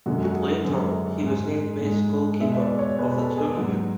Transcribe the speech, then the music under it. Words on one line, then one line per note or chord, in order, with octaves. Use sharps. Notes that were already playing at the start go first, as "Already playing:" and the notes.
Later, he was named best goalkeeper of the tournament.
F#2 D3 G#3 F#4
F#4
G#4
F#2 D3 G#3
G#2 G#3
G#2 G#3
B2 G#3 E5
E5
D5
C#5
B2 G#3 B4
A4
G#4
G#2 F#3 F#4